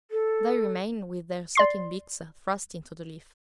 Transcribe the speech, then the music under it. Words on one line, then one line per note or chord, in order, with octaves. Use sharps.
They remain with their sucking-beaks thrust into the leaf.
A4
D5 C6 C7